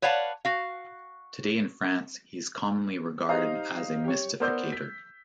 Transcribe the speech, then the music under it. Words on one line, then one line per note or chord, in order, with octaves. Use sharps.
Today in France he is commonly regarded as a mystificator.
B4 C#5 D5 F5 F#5 A5
F#4 F5
D#4 G4 C5 D#5 F5 A#5
G4 C#5
B3 A#4 C5 D5 E6 G6
B6